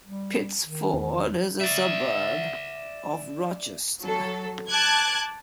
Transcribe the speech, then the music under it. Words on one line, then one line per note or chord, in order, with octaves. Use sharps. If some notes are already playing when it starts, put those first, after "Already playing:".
Pittsford is a suburb of Rochester.
G3
D#3
E2
D5 E5
F#3 A4
A5 D6 F#6 G#6